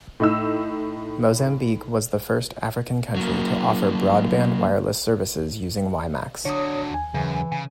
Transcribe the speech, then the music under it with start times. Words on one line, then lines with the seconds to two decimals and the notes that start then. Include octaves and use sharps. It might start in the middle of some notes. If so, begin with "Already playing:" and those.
Mozambique was the first African country to offer broadband wireless services using WiMax.
0.20 A2 D#4 E6
3.16 F#3 A#3
6.45 D3 F#3 D4 C#5 D#6 C#7
6.91 D#2 G#5
7.14 F#2 C#3 E3
7.52 C#3 G#5